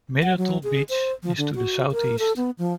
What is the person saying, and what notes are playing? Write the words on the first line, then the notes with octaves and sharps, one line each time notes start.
Myrtle Beach is to the southeast.
F#5
F#3
G#4
C5
F3
D3
F#4
A#4
A4
B3
F3